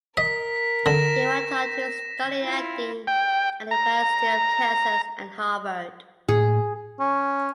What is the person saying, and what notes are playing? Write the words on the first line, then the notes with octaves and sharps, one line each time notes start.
He went on to studying acting at the University of Kansas and Harvard.
A#4 D#5 B6
D3 A#6 E7
E4 F4
G5
A#5
A2 A#3 G#4
C#4